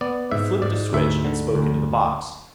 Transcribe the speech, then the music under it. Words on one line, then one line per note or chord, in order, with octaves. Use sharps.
He flipped a switch and spoke into the box.
B3 D5
G#2 E5
G#2 D5
D2 E5
D3
D2